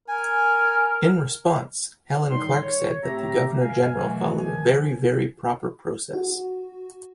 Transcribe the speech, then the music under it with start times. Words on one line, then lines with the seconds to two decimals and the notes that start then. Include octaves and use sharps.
In response, Helen Clark said that the Governor-General followed a "very, very proper process".
0.08 A#4 G#5
2.30 A2 D#3 G3 D#4 C#5 C6
2.62 C#5
3.03 A2 A3 C4 G4 E5 A#5
3.60 G2 A#4 F5 G#5
3.95 B2 D3 E3 F#3 A3
4.38 D#3 F3 G#5
6.13 F#4